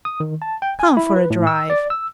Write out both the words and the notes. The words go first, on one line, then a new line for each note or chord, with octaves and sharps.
Come for a drive!
D#6
D#3
A5
G5
G#5
E4
B4
A2
E6
D5
E6